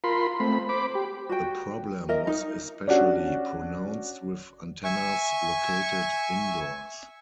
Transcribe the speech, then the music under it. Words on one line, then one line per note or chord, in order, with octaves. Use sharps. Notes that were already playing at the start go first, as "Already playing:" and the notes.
The problem was especially pronounced with antennas located indoors.
F4 A#4 B5 C6
A3 C4 B5
C5 B5 D6
G4
F#4 G5
A#4 D#5 E5
D#4
C#4 D4 F#4
E5 G#5 C#6